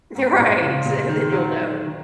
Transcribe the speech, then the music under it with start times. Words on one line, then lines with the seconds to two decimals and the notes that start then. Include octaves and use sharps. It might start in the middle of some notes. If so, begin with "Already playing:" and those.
You're right, and then you'll know.
0.15 G#2
0.32 G#2
0.38 A#2
0.62 C#3
0.74 C#3
0.86 A#2
1.09 D#3
1.32 F#3
1.56 D#3
1.87 D#3